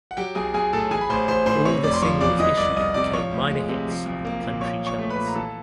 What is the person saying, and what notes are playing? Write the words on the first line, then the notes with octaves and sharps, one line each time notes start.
All the singles issued became minor hits on the country charts.
F#5
F#3 G4 G5
B1 G#4 G#5
B1 G#4 G#5
A2 A4 A5
E3 G#4 G#5
B5
A1 C5 C6
A1 C5 C6
A2 C5 C6
C3 C#5 C#6
F1 D5 D6
C6
F3 C#5 C#6
E2 D5 D6
E3 D#5 D#6
C2 D5 D6
C2 D#5 D#6
C3 D5 D6
F3 C#5 C#6
D2
G#3
C3
F3
B1
A#3
A#2
F3 C#5 C#6
B1
C#5 C#6
A3
B4 B5
A#2
A#5
E3 A4 A5